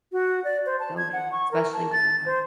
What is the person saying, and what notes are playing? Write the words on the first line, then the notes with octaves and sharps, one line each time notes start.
going, especially when you have
F#4
D5
C5
A5
G#6
F#5
C#6
A#4
A5
A6
C5